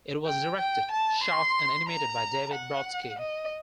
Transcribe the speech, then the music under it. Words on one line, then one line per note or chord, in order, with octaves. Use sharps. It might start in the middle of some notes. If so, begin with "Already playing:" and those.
It was directed, shot and animated by David Brodsky.
G5
G5
A5
C6
A#5
F#5
D#5